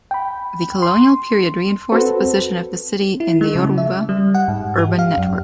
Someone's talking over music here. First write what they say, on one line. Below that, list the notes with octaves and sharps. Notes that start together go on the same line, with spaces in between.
The colonial period reinforced the position of the city in the Yoruba urban network.
G5 B5
C6
C4 F#4 A4 B4 C5
E4
G#3
C#3
E5
G3
F#5
G#2
G4
F5
F#2